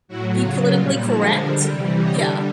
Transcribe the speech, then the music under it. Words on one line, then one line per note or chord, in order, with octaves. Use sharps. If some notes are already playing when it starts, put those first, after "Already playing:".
Be politically correct? Yeah.
A2 F#3 E4 F#4
C#3 F#3 F4
A#2 G3 F4
D3 F3 G#3 E4 F#4
D3 G3 A#4 C5
C3 E3 G3
D3 G3 C#5 D#5